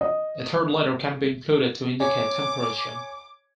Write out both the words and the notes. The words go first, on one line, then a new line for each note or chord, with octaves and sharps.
A third letter can be included to indicate temperature.
D#5
C#5 G#5 D6